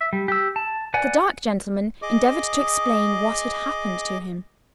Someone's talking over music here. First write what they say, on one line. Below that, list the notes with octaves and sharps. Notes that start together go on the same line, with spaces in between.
The dark gentleman endeavored to explain what had happened to him.
E5
G3
G4 E6
A5
B4 D5 F#5 G#5
G#4 D#5 D6